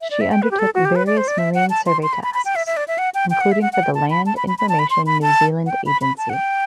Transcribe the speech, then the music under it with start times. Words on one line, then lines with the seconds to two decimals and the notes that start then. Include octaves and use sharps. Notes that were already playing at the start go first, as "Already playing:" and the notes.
She undertook various marine survey tasks, including for the Land Information New Zealand agency.
0.01 E5
0.10 D5
0.21 E5
0.32 G5
0.42 B4
0.51 G4
0.59 A4
0.75 F#4
0.85 G4
0.96 B4
1.07 D5
1.17 C5
1.28 D5
1.38 E5
1.54 F#5
1.70 A5
1.86 C6
2.03 C6
2.13 B5
2.23 B5
2.34 B5
2.45 G5
2.56 E5
2.67 E5
2.77 D5
2.88 E5
2.98 F#5
3.14 G5
3.30 G5
3.41 F#5
3.52 E5
3.62 F#5
3.73 F#5
3.83 G5
3.95 A5
4.10 B5
4.26 A5
4.37 B5
4.48 B5
4.58 B5
4.69 A5
4.79 B5
4.90 C6
5.06 B5
5.22 A5
5.66 F#5
5.70 G5
5.86 B5
6.02 B5
6.18 A5
6.30 F#5
6.34 G5